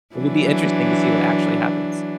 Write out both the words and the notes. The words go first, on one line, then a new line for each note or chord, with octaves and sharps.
it would be interesting to see what actually happens.
E3 F#3 D4